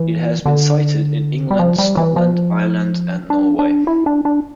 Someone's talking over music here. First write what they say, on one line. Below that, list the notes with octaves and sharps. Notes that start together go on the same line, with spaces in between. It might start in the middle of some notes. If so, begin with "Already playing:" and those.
It has been sighted in England, Scotland, Ireland, and Norway.
Already playing: E3
D3
G3
F3
G3
E3
F3
D4
D4
E4
D4
D4